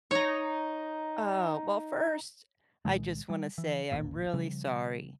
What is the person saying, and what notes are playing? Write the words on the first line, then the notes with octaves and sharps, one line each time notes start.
Oh. Well, first, I just wanna say I'm really sorry.
D#4 C#5 A#5
C2 A#2 D#3 G#3
G3
E3
E1 A1 D#2 A#2
C#3 F3 G3